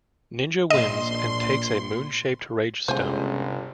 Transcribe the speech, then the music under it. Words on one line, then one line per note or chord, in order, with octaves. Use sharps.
Ninja wins and takes a moon-shaped Rage Stone.
A#1 D#5 C6
G1 C#2 C3 B3 C5 G#5